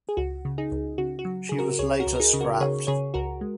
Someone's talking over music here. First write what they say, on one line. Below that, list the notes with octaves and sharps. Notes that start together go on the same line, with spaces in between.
She was later scrapped.
G#4
C#2 F#4
C#3
D#4 G#4
C#2
C#3 F#4
F#4
F#3
C#3 G#4
F#4 A#4
C#2 G#4 C#5
F#4 A#4
C#2
A#4
D#4 G#4
C#3
F#4 A#4
C#3 G#4 C#5
C#3 G#4 C#5
C#2 F#4 A#4
G#3